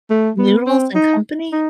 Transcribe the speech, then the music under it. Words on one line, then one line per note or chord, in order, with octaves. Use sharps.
Noodles and Company?
A3
B3
C4
D#4
D#4